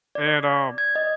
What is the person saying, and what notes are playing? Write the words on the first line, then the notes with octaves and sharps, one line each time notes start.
and, um,
D5
G#6
D#5